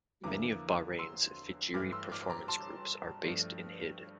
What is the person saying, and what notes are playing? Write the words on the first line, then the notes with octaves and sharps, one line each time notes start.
Many of Bahrain's fijiri performance groups are based in Hidd.
E2 D3 F3 A#3 E4 A#5 D6
C6 E6
G2 E3 A3 E4 D6 F6
C6 E6
D6 F6
A#5 D6
A5 C6
G2 F3 A3 D4